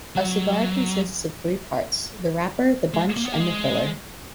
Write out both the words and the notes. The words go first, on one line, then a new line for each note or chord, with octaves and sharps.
A cigar consists of three parts, the wrapper, the bunch, and the filler.
F#3
G#3
A#3
B3
A#3
G#3